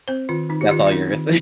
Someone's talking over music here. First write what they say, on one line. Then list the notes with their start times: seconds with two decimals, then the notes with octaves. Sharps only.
That's all yours.
0.08 C4 C5
0.29 D#3 F4
0.49 D#3 D#4
0.61 G4
0.71 D#3 F4
0.87 F4
0.92 C4 D#4
1.13 D#3